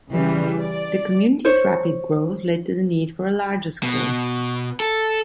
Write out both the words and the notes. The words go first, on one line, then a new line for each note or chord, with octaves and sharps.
The community's rapid growth led to the need for a larger school.
C#3 E3 G3
D5
C5 C#5
B2
A4